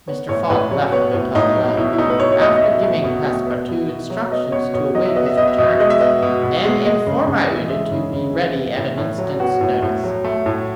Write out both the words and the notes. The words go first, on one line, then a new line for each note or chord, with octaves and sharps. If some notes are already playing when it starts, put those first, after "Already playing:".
Mr. Fogg left the hotel alone, after giving Passepartout instructions to await his return, and inform Aouda to be ready at an instant's notice.
B3 C#5
A2 C#5
A2 B4
F#3 C#5
B3 C#5
A2
A2 D#4
F#3
B2 E4
E4
A3 D#4
B4
B2 C#5
C#5
A3 D#5
D#5
B2 E5
A3
B2
A3
B3
B2
B2
F#3
B3 D#5
B2 C#5
B2 C#5
F#3 D#5
E5
B3 D#5
E5
B2 D#5
E5
B2 D#5
E5
G#3 D#5
E5
B3 D#5
B2
B2
G#3
G#3 D#5
C#3
C#3
E3
G#3 E5
C#3
C#3
E3
B3
A2
A2
F#3
B3 F#4
A2
A2
F#3
A3
A2